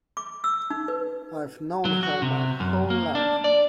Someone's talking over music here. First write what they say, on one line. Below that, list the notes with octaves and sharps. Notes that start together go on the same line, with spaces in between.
I've known her my whole life.
D6
E6
D#4
B4
F#3
F#4
C3
F#2
A#3
D4
D5